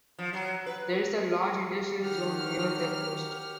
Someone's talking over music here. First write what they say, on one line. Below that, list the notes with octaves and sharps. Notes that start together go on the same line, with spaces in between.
There is a large industrial zone near the coast.
F3
F#3
B4
D#3 F#3 G4 F#5 F6